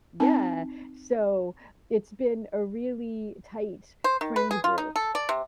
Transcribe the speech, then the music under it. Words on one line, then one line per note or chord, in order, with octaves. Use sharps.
yeah, so it's been a really tight friend group.
C4 D#4 A5
C5
D#3
B4
G#4
F4
D#4
A4
D5
C3